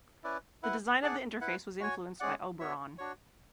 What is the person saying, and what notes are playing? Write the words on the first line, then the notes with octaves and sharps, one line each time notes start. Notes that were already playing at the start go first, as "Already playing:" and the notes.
The design of the interface was influenced by Oberon.
C#4 E4 B4 D5
E4 B4 F#5
D4 G#4 D5 F#5
E4 B4 F#5
F#4 C#5 G#5
G#3 C#4 G#4 D5 F#5
B3 F#4 C#5 E5
D4 F#4 C#5